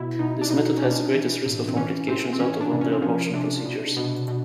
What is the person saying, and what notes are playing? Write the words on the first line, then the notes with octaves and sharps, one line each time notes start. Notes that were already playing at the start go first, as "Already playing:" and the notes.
This method has the greatest risk of complications out of all the abortion procedures.
Already playing: B2 E4
B2 D#4
D4
B2 D#4
C#4
B2 D4
E3
A2
C4
E3 C#4
A2 C4
C4
E3 C#4
D4
C3
C#4
C4
F3 C#4
C3 D4
B2
B2
B2